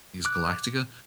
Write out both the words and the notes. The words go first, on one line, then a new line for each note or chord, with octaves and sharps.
Is Galactica,
D6 F#6